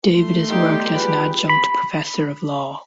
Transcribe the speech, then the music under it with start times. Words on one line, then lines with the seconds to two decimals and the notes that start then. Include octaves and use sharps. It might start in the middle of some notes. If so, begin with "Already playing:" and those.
David has worked as an Adjunct Professor of Law.
0.13 A3 C6
0.49 G3 B3 D#4 G4
0.93 F4 G#4 B4
1.49 B5